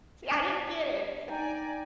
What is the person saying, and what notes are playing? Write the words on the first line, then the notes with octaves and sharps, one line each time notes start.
See, I didn't get it, so
D4 G#6 B6
D#4 D5 G5 G#5 A#5